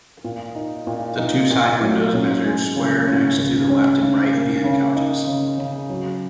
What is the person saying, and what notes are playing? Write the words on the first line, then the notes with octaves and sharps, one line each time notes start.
The two side windows measured square next to the left and right-hand couches.
A#2
D#4
A#2
D#4
A#2
F#3
C#4
G#3
C#3
C#4
C#2
C#4
C#3
A#3
C#3
D#4
C#3
C#3
F#3